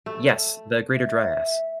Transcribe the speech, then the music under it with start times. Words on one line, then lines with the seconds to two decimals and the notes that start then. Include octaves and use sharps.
Yes, the Greater Dryas.
0.06 A3
0.95 E5